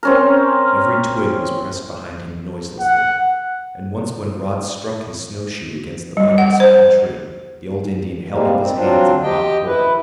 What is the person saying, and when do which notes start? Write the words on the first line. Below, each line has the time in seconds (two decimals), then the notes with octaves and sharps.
Every twig was pressed behind him noiselessly, and once when Rod struck his snow-shoe against the butt of a small tree the old Indian held up his hands in mock horror.
0.03 C4 C#4 A#4
2.80 F#5
6.17 G3
6.38 F#5
6.60 C5
8.29 C3 G3 G#3 A#3
8.58 C4
8.76 F#3 C4 D4 F4
9.22 G4 D#5 G5
9.66 E4 B4